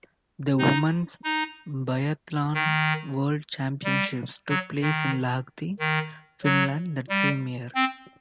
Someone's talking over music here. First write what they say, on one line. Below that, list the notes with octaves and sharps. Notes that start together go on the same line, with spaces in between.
The Women’s Biathlon World Championships took place in Lahti, Finland that same year.
D#4
D#4
D#3
G3
F#3
D#3
D#3
F#3
G3
C4